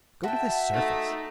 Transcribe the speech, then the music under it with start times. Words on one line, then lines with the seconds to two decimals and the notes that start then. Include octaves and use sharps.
Go to the surface.
0.24 F#4 E5 G5 A5
0.73 A3 D#4